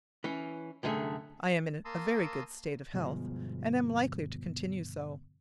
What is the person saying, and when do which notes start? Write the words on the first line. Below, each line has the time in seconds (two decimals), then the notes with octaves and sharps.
I am in a very good state of health, and am likely to continue so.
0.24 E3 C#4
0.83 C2 F#2 D3 A3 G#4
1.85 A#3 A5 A#5 C6 D#6 E6
2.94 G1 B2 F3 G#3